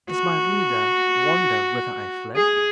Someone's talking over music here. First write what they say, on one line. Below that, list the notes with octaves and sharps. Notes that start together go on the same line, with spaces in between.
Does my reader wonder whither I fled?
F#4
G#4